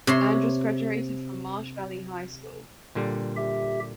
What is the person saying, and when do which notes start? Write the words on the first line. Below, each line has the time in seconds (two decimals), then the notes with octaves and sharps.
Andrus graduated from Marsh Valley High School.
0.07 C3 C#5 C6
2.95 A#2 D3 G3
3.37 G4 E5